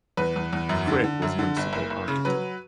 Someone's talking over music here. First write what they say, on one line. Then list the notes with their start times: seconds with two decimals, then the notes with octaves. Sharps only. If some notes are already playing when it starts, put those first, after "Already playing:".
Craik was Municipal Architect.
0.17 E2 B4
0.36 E2
0.53 E2
0.69 F#2
0.87 D3
1.04 D3
1.22 F#2
1.39 D3
1.57 G1
1.73 F#1
1.90 F#1
2.08 C#3
2.25 F#3 B4